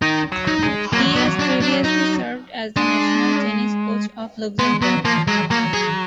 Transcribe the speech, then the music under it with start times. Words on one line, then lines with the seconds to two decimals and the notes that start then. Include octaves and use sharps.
He has previously served as the national tennis coach of Luxembourg.
0.02 D#3 D#4
0.32 F#3
0.47 D#4
0.63 G#3
0.93 F#3 A#3
1.15 B3
1.39 D4
1.61 D4
1.84 D#4
2.76 G#3 D4
4.59 G#3 B3
4.82 F#3 B3
5.05 F3 A#3
5.27 F#3 G#3
5.51 F#3 A#3
5.73 G#4